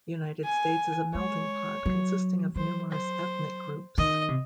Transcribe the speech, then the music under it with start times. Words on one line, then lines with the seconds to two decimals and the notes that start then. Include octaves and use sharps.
The United States is a melting pot consisting of numerous ethnic groups.
0.44 G#5
1.15 G#3 C#5
1.86 F#3
2.56 F#3 C5
2.91 C5
3.98 D#3 D#5
4.29 C3